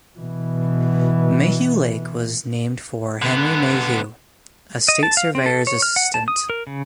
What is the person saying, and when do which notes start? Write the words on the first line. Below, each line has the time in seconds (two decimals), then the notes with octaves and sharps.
Mayhew Lake was named for Henry Mayhew, a state surveyor's assistant.
0.19 B2 E3
3.22 D3 B3
4.88 D#5
5.03 A5
5.17 F5
5.35 C4
5.46 A4
5.67 C#5
5.82 F6
5.96 F#5
6.14 A5
6.28 D#6
6.50 A#4
6.67 C#3